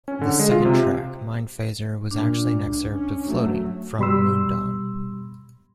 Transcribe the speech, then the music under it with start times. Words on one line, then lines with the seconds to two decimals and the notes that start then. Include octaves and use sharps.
The second track, "Mindphaser", was actually an excerpt of "Floating" from "Moondawn".
0.08 C#4
0.21 D3
0.39 G#3
0.51 F4
0.65 C3
2.11 A#2 D4
2.59 C#2
2.91 C#4
3.25 F#3 A3
3.99 B2 G3 B5 C6 E6